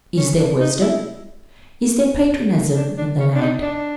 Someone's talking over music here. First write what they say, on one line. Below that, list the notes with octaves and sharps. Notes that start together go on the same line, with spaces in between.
Is there wisdom, is there patriotism in the land?
C#4
D4
D#4
E4
D4
D4
C#4
D4
D#4
D4